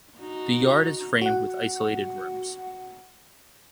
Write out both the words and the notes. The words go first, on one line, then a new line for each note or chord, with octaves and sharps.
The yard is framed with isolated rooms.
D#4 F#4
F#4 F#5